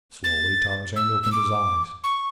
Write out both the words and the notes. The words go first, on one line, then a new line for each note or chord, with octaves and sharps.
Slowly Tarzan opened his eyes.
A6
E6
E6
D6
C#6